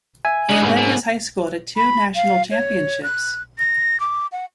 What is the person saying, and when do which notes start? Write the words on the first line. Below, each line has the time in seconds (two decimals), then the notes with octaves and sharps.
He led his high school to two National Championships.
0.25 E5 G#5
0.49 C#3 E3 D4 D#5
0.62 B1 G#2 A#3 C#4
0.77 B2
1.76 B5
2.15 F5
2.51 C#5
3.03 F#6
3.58 A#6
4.00 D6
4.32 F#5